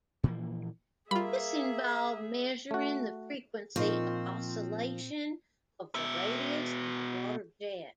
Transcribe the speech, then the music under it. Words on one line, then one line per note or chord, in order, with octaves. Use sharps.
This involved measuring the frequency of oscillation of the radius of a water jet.
A#2 E3 F3 A#3
G3 A#3 F4 G#4 E5 B5
A3 F#4
A#2 F3 A#3 C4 D#4 F4 C#6 E7
B2 E5